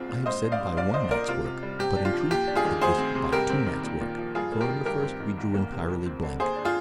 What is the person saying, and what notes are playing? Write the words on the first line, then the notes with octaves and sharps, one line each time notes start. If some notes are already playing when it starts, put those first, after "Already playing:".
I have said "by one night's work," but, in truth, it was by two nights' work, for on the first we drew entirely blank.
Already playing: C2 C4 F4 G#4
A#2
G#2 C5 D#5
D4
D5 F5
G3
C2 D5 F5
D4 C5 D#5
A#2 A#4 D5
C3 F4
C3
G3
C3 G4
D4
F4
F3
D#2 G4
D4
F4 G#4
D#3
D2 G#4 C5
C4
C3
G2 G4 A#4
C4
D#3
A#2
A#2
F3
G2 F4 G#4
A#3
G4 A#4
D#3
G2 G4 A#4
C4
D#3
C2
A#3
C3
F2
C4
D3
D#2 G#4 C5
D4
F4 G#4